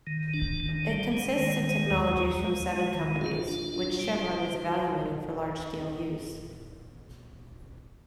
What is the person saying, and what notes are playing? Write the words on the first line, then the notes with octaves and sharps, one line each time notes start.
It consists of technologies from seven companies, which Chevron is evaluating for large-scale use.
D#3
D4
D#3
G3
G#3
D#3
G#3
D#2
D#2
G#3
G#3
D#3
F4
D4
F4
G3